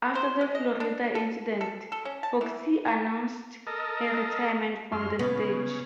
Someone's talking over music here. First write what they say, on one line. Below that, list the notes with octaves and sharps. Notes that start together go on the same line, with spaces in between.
After the Florida incident, Foxe announced her retirement from the stage.
C5
G#3
D#5
D4
A4
A4
A4
C#4
A5
E3
A4 A#4 D#5
F#2 C6 F6
C#3 B3